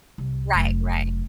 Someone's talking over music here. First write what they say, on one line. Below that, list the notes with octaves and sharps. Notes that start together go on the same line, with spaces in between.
Right, right.
C2
F1 F#3